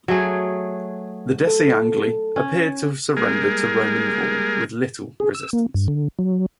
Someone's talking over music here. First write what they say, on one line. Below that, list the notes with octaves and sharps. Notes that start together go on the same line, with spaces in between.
The Deceangli appear to have surrendered to Roman rule with little resistance.
F#3 A3 G#4
A4
C#4
G3 G#3 A#3 G#4 A#4
G#4
E6
A#3
G2
D3
F#3